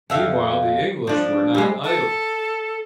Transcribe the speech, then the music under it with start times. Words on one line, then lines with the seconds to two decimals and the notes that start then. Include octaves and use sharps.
Meanwhile, the English were not idle.
0.10 F2 E5 F5
1.07 F3 D4
1.55 G3 G#3
1.84 A4